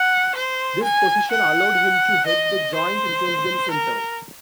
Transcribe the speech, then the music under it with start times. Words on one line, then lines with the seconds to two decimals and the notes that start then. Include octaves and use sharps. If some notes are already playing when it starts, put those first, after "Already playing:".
This position allowed him to head the Joint Intelligence Centre.
Already playing: F#5
0.35 C5
0.83 G#5
1.31 F#5
2.26 D#5
2.74 C5
3.70 A#4